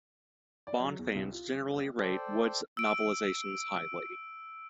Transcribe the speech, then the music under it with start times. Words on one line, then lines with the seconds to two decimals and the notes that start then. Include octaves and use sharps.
Bond fans generally rate Wood's novelisations highly.
0.67 D5
0.80 F#3
0.99 E2
1.15 C2
1.32 F4
1.62 G3 A#3 C4 G4
1.99 A4 C5 D5 G5
2.77 E6 D7